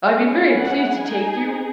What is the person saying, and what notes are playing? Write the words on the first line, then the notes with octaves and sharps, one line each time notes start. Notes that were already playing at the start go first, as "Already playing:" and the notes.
"I'll be very pleased to take you."
C#4 E4 G#4
F#5
D#4 G#4 G#5